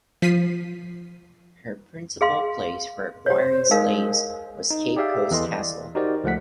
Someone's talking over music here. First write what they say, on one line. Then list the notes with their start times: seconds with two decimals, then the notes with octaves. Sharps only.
Her principal place for acquiring slaves was Cape Coast Castle.
0.22 F3 B6 C7 D#7
2.21 G#4 F5 C6
3.26 G4 C5 C#5
3.71 G#3 D#4 A#4 F5
4.70 D#4
4.96 G4 G#4 D5 E5 F5 G5
5.31 E2 E3 A4 D#5 C6
5.52 D5
5.95 D#4 F#4 G4 A#4 C5 D5
6.24 C#2 F3 A3 F#5 B6